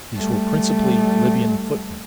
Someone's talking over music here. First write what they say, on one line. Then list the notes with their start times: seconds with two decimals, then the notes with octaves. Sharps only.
These were principally Libyan footmen.
0.15 G3 A3